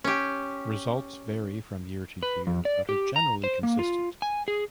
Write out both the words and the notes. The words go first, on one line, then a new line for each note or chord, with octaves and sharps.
Results vary from year to year but are generally consistent.
C#4 G4
B4
F2
D5
G4
A#5
C5
A#3
F4
G#5
G#4